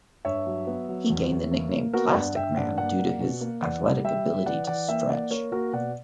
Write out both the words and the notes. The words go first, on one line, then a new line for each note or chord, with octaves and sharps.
He gained the nickname "Plastic Man" due to his athletic ability to "stretch".
G2 C#5 E5
F#3
B3
F#3
E2
E2
A#3
A#3
B3 F#4 A#4
G2 D5 F#5
G2 E5 G5
G2 D5 F#5
A#3 D5 F#5
A#3
B2
A#3
E2 D5 F#5
G3
G3 E5 G5
G3
E3 D5 F#5
E3 D5 F#5
A#3 E5 G5
A#3 D5 F#5
A#3 A#4 C#5
A#3 F#4 A#4
B2 D5 F#5